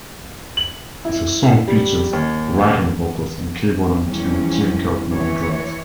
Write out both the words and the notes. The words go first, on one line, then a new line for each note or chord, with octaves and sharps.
The song features Wright on vocals and keyboards and Jim Keltner on drums.
F#7
E4
G3
D#2
E2 F3 G3 C#4 E4
E3 C#5